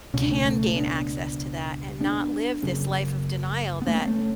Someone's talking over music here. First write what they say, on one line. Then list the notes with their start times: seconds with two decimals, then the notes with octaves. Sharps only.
can gain access to that and not live this life of denial that
0.14 C#2 B2 C#4
0.22 D4
0.31 A3 C#4
0.46 A3 C#4
0.76 B3 D4
2.01 B3 D4
2.63 F#1 F#2 C#3
3.82 B3
3.87 A3 C#4
4.00 B3
4.08 A3 C#4